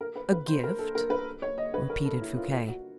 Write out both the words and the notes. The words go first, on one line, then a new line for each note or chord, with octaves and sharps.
"A gift?" repeated Fouquet.
A#4
B4
B4
C5
A#4
A4
A#4
B4
C#5
D#5
B4
A#4
A4
E4
F4
F4
F#4